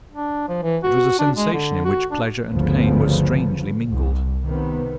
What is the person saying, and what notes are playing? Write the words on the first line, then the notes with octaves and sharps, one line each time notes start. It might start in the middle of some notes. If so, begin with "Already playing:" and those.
It was a sensation in which pleasure and pain were strangely mingled.
D4
F3
E3
F#4
D4
G#3
D3
F#4
D4
G1 D2 C#3 F3 B3
C2
C3 D#3 B3